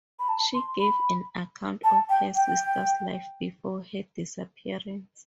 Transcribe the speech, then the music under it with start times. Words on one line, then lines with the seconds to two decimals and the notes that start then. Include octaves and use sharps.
She gave an account of her sister's life before her disappearance.
0.19 B5
0.29 A5
0.54 C6
0.80 B5
1.84 A5
2.10 G5
2.36 G5